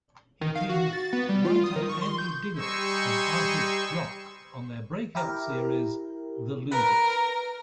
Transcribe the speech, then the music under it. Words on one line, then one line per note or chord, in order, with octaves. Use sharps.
He teamed writer Andy Diggle and artist Jock on their breakout series The Losers.
D#3
F5
F#4
A6
B3
G3
F4
D#6
D#3
C#6
C6
G6
G3 D#4 G#4 C5 C#6 E6
E4 G4 A#4
A#4 B4